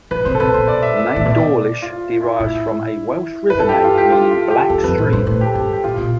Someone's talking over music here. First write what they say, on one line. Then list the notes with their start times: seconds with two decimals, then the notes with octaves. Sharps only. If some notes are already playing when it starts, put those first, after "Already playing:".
The name "Dawlish" derives from a Welsh river name meaning "black stream".
0.11 E3 B4
0.25 C3 C5
0.35 A4
0.40 C3 B4
0.54 B2 C5
0.68 D5
0.82 E5
0.97 E5
1.11 D5
1.16 A2
1.21 B2 E5
1.31 D5
1.82 F4
2.21 E4
2.40 A2 E4
3.50 G2 B4
3.60 A4
3.69 G4
3.84 F4
3.98 G4
4.12 F4
4.31 F4
4.51 G4
4.70 E2 A4
4.84 F2 B4
4.98 A2 C5
5.07 B4
5.12 G2 C5
5.27 A2 B4
5.41 G4
5.46 A4
5.55 G2
5.73 G4
5.84 A2 F4
5.98 B2